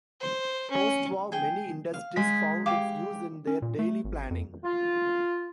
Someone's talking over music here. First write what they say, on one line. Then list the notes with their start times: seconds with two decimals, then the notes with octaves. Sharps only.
Postwar, many industries found its use in their daily planning.
0.21 C5
0.71 C#4
1.32 G#4 G5
1.94 F5
2.16 G#3 G#6 B6
2.66 G4 F5 D6
3.47 C#4
3.62 A#2
3.79 A3
4.04 G#1
4.31 F2
4.64 F4